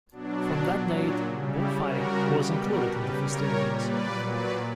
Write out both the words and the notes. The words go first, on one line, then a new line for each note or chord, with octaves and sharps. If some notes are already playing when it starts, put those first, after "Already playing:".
From that date bullfighting was included in the festivities.
B2 F#3 D4
A#2 F#3
D4
C#3 G3
E4 G4
C#3 G3 F#4 A#4
B2 G3 G4 B4
F#4 A#4
C#3 G3 G4 B4
A#4 C#5
A#2 G3
B4 D5
A#2 F#3
B4 D5